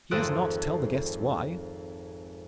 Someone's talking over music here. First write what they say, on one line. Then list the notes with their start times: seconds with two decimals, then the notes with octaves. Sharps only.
He does not tell the guests why.
0.11 G#1 F2 A4 D#6 F#6 D7